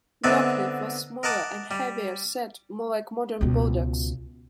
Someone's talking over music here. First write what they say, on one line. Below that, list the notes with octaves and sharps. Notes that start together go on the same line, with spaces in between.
Dockleaf was smaller and heavier set, more like modern Bulldogs.
D3 B3 C4 D#4 D5 E5
A#4 D#5 F#5 A5 D6 D#6
G3
C#2 B2